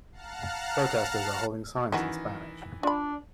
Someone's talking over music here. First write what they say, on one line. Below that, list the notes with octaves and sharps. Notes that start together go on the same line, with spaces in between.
Protesters are holding signs in Spanish.
F5 F#5 A5 A#5 F6 F#6
D#3 E3 C#4 D#4 F#4
D4 F4 B5